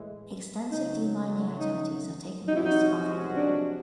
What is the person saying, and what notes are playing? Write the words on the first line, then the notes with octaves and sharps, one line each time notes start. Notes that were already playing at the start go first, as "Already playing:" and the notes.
Extensive de-mining activities have taken place after the war.
Already playing: A2 E3 G#3
C#3 F#3 A3 D#4
D#4
C3 F3 G#3 C#4 D#4 F#4
E4
D#4
D4